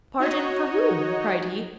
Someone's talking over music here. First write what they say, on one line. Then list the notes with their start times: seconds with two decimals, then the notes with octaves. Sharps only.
"Pardon for whom?" cried he.
0.19 D#4 F#4 C#5 D#5